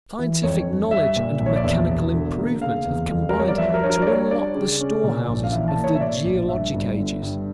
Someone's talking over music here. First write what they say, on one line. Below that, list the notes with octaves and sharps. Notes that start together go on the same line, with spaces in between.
Scientific knowledge and mechanical improvement have combined to unlock the storehouses of the geologic ages.
E3
F2 C#5
G2
G3 E5
A#2
A#1
C#5
D5
E2 E5
E1
D3
A#3
C#3 F5
E2
F2
G3 A#4
C#5
D5
F3 E5
A#4
D4 C#5
A#4
D5
G3 C#5
D4 D5
C#3
C#4
A#2
A#1
F5
E3 E5
A5
A#3
C#5
E5
A2 D5
A#1
G2 E5
G1
D3
G2